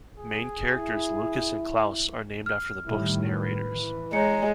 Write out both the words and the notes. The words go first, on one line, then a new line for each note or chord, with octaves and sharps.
Main characters Lucas and Claus are named after the book's narrators.
G#4
E4
F6
A2 D#3 G3 E4
B4
E3
G#3 C#5 A#5 C#7